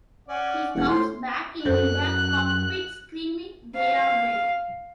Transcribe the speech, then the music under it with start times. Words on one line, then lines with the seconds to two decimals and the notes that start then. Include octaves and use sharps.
He comes back in the cockpit screaming, They're dead!
0.28 C#4 D5 F#5
0.75 E1 F#5
0.88 A2 C5 C6
1.65 F#2 A4 C5 F#6
3.77 F5